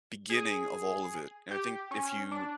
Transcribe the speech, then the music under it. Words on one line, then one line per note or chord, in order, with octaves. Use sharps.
beginning of all of it. And I think if you
G#4
G4
C#4
D4